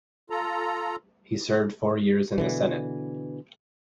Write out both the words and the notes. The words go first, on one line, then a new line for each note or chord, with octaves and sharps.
He served four years in the Senate.
F4 A4 A#5
B2 D3 E3